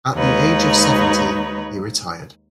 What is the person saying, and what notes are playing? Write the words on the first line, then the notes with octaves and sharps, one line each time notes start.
At the age of seventy, he retired.
D#2 G#3 D#4 B4 C#5